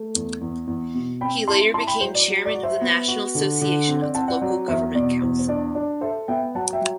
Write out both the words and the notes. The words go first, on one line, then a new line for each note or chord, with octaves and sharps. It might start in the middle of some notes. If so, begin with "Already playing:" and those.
He later became chairman of the National Association of the Local Government Council.
Already playing: A3
E2
E2
E2
B2
C4 G5 B5
E4 A5 C6
E4 A5 C6
G5 B5
F#3 C5
D5
F#3
D5
F#4
C5 E5
B3
F#4
D3
D3
C4
D5
C4 F#5 A5
D5 F#5
F#3 D5 F#5
E2 C5 E5
B2 D5
E2 C5
C5
D4 D5
D4 D5
A4 C5 E5
B3 E5 G5
F#3 F#5 A5
E5 G5
F#3